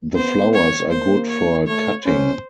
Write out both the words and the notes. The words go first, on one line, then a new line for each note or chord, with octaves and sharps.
The flowers are good for cutting.
B3 C5
C#5
A#3 C5
C#5
A3 C#5
C#4 C5